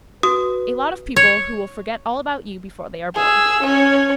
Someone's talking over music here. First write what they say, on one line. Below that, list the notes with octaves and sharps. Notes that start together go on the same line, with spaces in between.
A lot of people who will forget all about you before they are born.
F#4 B4 D#6
C#5
G#4 E6
C#4 C#5